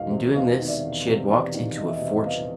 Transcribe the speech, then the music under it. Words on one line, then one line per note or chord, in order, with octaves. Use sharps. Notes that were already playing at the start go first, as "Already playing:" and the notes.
In doing this she had walked into a fortune.
Already playing: E1 E2 D#3 D#5 F5
C3
E2 D#5 F5
D#3
D5 E5
E1
C3
E2 D5
D#3
E1 D#5
E5
D#5
C3 E5
D#5
E2 D#5 F5